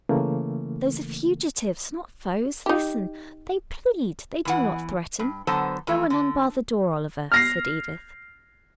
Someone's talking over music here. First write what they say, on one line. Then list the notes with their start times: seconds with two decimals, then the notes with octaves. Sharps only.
"Those are fugitives--not foes--listen--they plead--they do not threaten--go and unbar the door, Oliver," said Edith.
0.09 C#3 E3 A3 A#3
2.66 D#4 G4
4.45 E2 E3 F#5
5.19 G2
5.47 D3 F#3 B3 A4 C5 A5
5.87 F2 E3 A3
6.10 D3
7.32 F6 A#6 C7